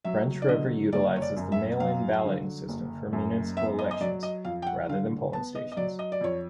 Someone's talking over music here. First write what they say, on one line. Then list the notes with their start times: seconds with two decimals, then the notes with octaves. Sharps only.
French River utilizes the mail-in balloting system for municipal elections rather than polling stations.
0.05 F#3 E5
0.42 D5
0.48 D3 D#5
0.93 F#1 D5
1.16 C#5
1.22 D5
1.37 F#2
1.52 E5
1.80 F#3 F5
2.25 D3
2.69 F#1
3.13 F#2
3.56 B3 E5
3.79 D#5
3.91 D#5
4.01 F#3 D5
4.23 D#5
4.45 F2 F5
4.62 G5
4.67 F#5
4.89 D3 F5
5.33 B3 A5
5.55 D#5
5.72 D#5
5.77 F#3 D5
5.99 D#5
6.12 D5
6.21 F2 C#5